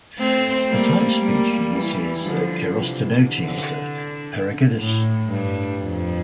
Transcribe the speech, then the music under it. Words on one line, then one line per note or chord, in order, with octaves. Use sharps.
The type species is "Chirostenotes pergracilis".
A3 C4
G3 A#3
G3 A#3
E3 G3
D3 F3
C3 E3
D3
A2
G2
F2